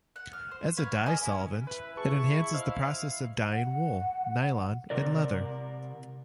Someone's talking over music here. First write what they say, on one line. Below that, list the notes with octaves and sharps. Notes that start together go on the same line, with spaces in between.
As a dye solvent, it enhances the process of dying wool, nylon, and leather.
F#5
F6
C5
B4 C#5 F5
G#4 B4 D#5 F6
C#4 E4
E4 B4
G#4 A5 C#6
C5 D#5 F5 E6
F#5
C3 A#4 D5